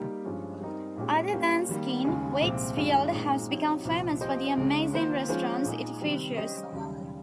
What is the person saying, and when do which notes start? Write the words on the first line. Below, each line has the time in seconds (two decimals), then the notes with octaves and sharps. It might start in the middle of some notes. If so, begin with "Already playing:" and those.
Other than skiing Waitsfield has become famous for the amazing restaurants it features.
Already playing: G3 A#3 D#4 G4
0.25 G2 F3 G#3 C#4 F4
0.61 G3 C4 D#4 A#4
0.97 A#2 G#3 C#4 G4
1.33 G3 A#3 C#4 G4
1.69 D#3 G3 A#3
2.04 D#2 C#3 G#3 C#4 G#4
2.40 C2 A#2 F3 G#3 C4
2.76 G2 D#3 G#3 C#4 F4
3.12 A#2 G#3 C4 D#4
3.49 F3 C4 D#4 G4 C#5
3.85 C2 A#2 F3
4.21 F3 C4 G4 C5 D#5
4.57 C#2 C#3 G#3 C#4
4.93 D#3 A#3 F4 C5
5.28 F3 G#3 C#4 F4 C5
5.65 A#2 G#3 D#4 G#4
6.01 C3 D#3 G3 C4
6.36 G3 C#4 G4 C5 D#5
6.72 D#2 C#3 G3